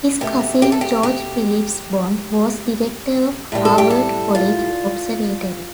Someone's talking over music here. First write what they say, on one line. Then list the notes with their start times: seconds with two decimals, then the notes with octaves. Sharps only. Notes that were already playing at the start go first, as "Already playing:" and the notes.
His cousin George Phillips Bond was director of Harvard College Observatory.
0.21 B2 A3 G4
0.62 G4
0.72 A4
0.81 G4
1.03 G4
3.52 A2 G3
3.65 A4
3.78 G4
3.90 A4
4.35 F4